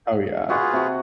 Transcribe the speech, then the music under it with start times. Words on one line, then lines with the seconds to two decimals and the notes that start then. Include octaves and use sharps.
Oh, yeah.
0.49 F4 F#4 G#4 B4
0.73 C3 F#4